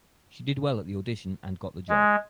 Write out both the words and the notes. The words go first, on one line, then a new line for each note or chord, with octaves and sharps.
She did well at the audition and got the job.
G#3